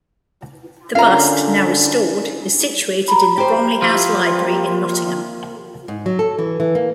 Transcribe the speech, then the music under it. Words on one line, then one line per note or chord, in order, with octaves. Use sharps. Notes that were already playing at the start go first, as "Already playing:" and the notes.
The bust, now restored, is situated in the Bromley House Library in Nottingham.
D3 C#4 F4 A#4 F5 A#5
A#5 B5
G3 G4 C5
F3 G3 E4
C3 A#3
G#2
F#3
A4
E3
E3
A#3